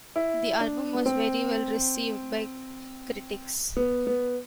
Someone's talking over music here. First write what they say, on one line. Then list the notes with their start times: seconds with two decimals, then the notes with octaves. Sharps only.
The album was very well received by critics.
0.16 E4
0.61 D4
0.95 B3
1.06 C4
3.77 B3
4.07 B3